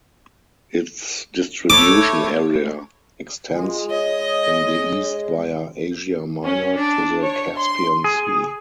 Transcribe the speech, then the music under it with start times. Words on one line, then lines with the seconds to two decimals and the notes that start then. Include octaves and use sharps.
Its distribution area extends in the east via Asia Minor to the Caspian Sea.
1.70 A3 E4 A4 C#5 D6
3.54 G#3 F4
3.90 C#5 D#5
6.44 C#4
6.77 D4
7.20 C#5
7.57 C6
8.04 G#4